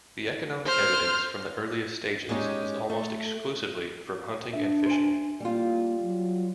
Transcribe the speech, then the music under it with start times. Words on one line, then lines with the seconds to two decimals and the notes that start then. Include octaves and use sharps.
The economic evidence from the earliest stages is almost exclusively from hunting and fishing.
0.66 C5 F6
2.29 G#3 C#4 D#4 F#4 G4
2.90 A3
4.53 D4 E5
4.86 C5 G#5
5.40 G3 A#3 F4
6.02 F#3